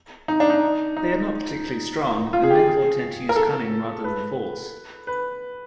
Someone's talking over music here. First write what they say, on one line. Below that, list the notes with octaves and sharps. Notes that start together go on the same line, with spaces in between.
They are not particularly strong, and therefore tend to use cunning rather than force.
D#4
D4
D#4
D#4
F4
G#4
G4
G#4
A#4
A4
B4
B4